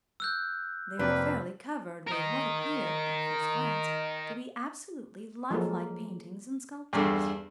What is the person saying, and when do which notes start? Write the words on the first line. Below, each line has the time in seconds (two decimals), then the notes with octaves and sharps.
They were fairly covered with what appeared, at first glance, to be absolutely lifelike paintings and sculptures.
0.20 E6 F#6 G6
0.99 F2 C3 A#3 C4 D4 B4
2.08 A#4 D#5
5.50 F3 F#3 G#3 A#3 A4
6.93 E2 G2 A4